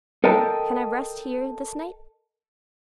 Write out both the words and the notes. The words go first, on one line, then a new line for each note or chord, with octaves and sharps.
'Can I rest here this night?
A4 A#4 D#5 G5 A5